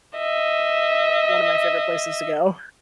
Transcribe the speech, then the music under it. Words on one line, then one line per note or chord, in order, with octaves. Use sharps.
one of my favorite places to go.
D#5 E5